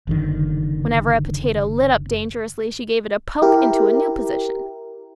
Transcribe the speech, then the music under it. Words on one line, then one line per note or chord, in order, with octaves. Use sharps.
Whenever a potato lit up dangerously she gave it a poke into a new position.
F#1 D3 D#3
E4 G4 A#4